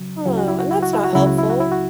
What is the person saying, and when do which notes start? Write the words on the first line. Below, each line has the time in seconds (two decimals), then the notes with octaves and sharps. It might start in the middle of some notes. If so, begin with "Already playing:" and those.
Oh, and that's not helpful.
Already playing: C#3 F#3
0.26 C#2 C#3 F#3 E4
0.38 F#4
0.48 E4
0.60 F#4
0.71 E4
0.82 F#4
0.93 E4
1.05 F#4
1.13 C#2 C#3 F#3 E4
1.27 F#4
1.39 E4
1.50 F#4
1.60 E4
1.72 F#4